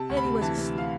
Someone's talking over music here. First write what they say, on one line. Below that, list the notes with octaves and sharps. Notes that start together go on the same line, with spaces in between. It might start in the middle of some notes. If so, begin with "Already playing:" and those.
Elly was asleep.
Already playing: C3 A5
D2
B5
C3
E3 A5
C3
F5